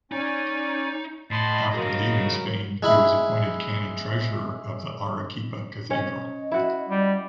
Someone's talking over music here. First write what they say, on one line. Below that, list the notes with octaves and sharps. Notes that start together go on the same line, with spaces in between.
After leaving Spain, he was appointed canon treasurer of the Arequipa cathedral.
C#4 D#4 D5 G#5
A2 D#5 A5 B5 C6
F#3 G#4 A#4 F5
G#3 E4 B5
C#4 C#5 D#5
E4 F#4
G3